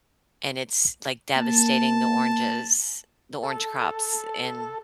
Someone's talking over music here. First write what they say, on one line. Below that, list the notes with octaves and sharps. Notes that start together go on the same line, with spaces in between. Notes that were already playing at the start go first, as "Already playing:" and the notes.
and it's, like, devastating the oranges, the orange crops, in
A#3 A5
A4